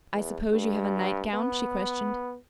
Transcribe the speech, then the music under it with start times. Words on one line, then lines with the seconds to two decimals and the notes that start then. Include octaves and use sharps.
"I suppose you have a nightgown?" she questioned.
0.13 E2
0.51 G2
1.34 B3